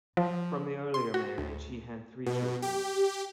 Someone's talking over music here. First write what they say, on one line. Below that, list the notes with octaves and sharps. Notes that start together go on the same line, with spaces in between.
From the earlier marriage he had three children.
F3
C6
F#4
D2
B2
G4